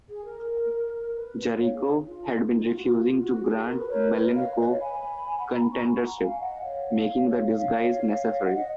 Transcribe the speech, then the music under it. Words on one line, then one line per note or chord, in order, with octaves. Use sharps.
Jericho had been refusing to grant Malenko contendership, making the disguise necessary.
G#4
A#4
B4
C#5 F5
G#4
D#4
F4
D#4
F4
F#4
F#4
F4
F#4
G#4
F#4
A#4
B4
A#4 C#5
B4 D#5
C#5 F5
C#5
B4 D#5
C#5 F5
G#5 B5
F#5
G#5
A#5
B5
A#5 C#6
G#5 B5
F#5 A#5
F5 G#5
G#5
D#5 F#5
C#5 F5
C#5 F5
D#5 F#5
D#5 F#5